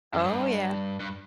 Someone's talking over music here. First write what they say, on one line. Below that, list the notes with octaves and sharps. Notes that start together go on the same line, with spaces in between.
Oh, yeah.
F#2
G2
G2